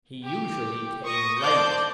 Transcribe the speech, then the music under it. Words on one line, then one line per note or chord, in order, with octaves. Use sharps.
He usually came late.
G4
C#6 D#6 A#6
C5 D5 A5 D6 G6